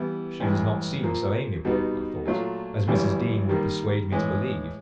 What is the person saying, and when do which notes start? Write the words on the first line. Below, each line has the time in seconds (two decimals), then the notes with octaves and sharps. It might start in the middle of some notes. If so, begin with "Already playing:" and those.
'She does not seem so amiable,' I thought, 'as Mrs. Dean would persuade me to believe.
Already playing: E3 G3 B3 E4
0.40 A1 G2 E3 G#3
1.03 A#2 F3 A#3
1.65 B2 G3 B3 D#4
2.25 A#2 F#3 A3 D4 F4
2.88 G#1 F#2 C#3 E3 G3
3.49 D#3 G3 A#3
4.12 A2 E3 G#3